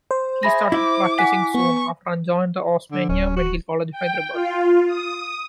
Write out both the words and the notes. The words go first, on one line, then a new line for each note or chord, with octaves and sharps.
He started practising soon after and joined the "Osmania Medical College," Hyderabad.
C5
G#4 E5 B5 A#6
E4 D6
F#5 G#5 B6
B3 C#6
D3
D1 C#4
F#4
G5
F4
D#6